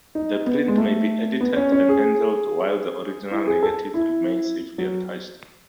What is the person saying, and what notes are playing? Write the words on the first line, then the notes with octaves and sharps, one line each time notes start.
The print may be edited and handled while the original negative remains safely untouched.
D#4
B3
G#3
A3
B3
C#4
C#4
G#4
E4
G#4
A4
E4
F#3